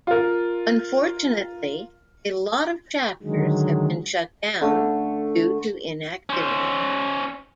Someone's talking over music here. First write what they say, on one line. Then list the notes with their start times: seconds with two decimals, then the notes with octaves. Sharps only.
Unfortunately, a lot of chapters have been shut down due to inactivity.
0.07 F4 A#4
3.23 D3 D#3 F#3 G#3
4.61 D3 A3
6.30 C#4 C5